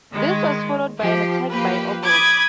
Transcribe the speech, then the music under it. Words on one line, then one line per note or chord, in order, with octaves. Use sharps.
This was followed by an attack by Oblt.
D#3 G#3
F3 G4
F3 A#3 G4 B4
B5 D6 D#6 G#6